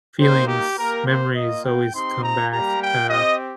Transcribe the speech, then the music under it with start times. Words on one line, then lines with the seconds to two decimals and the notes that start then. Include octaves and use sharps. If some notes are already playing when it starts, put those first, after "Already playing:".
feelings, memories always come back, uh,
0.19 A#3 D#4 G4 C5
0.48 G4
0.77 A#3 G4 A#4
1.06 C5
1.35 A#3 F4 D#5
1.64 G5
1.93 C4 D#4 G4 C6
2.22 A#5
2.51 G3 A#3 G4 A#5
2.80 G5
3.09 C4 G4 D#5